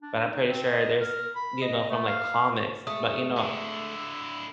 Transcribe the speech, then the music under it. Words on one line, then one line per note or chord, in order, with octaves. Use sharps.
but I'm pretty sure there's you know, from like comics, but you know,
D4
D#4
C4
D#5
A#4
B5
D#5
A3
F5
F#4
G#3 A3 G#4 D#6
D3 E4